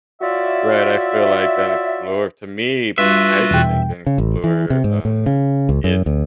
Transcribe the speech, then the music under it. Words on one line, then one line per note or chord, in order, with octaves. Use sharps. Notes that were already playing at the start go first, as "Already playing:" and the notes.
Right. I feel like an explorer, to me, I have to think, an explorer, um, is,
F4 F#4 C#5 D5 E5
G2 F4 F#4 B4 E5
E2 B2 G5
C#3
A1
E3
C3
G#2
A2
C#3
C#2
F#2
D2